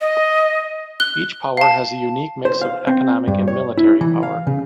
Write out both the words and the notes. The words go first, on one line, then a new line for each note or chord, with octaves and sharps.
Each power has a unique mix of economic and military power.
D#5
F#6 G7
F5 A5
C5
F5
C4
G2
C#5
E4
E3
F5
C#3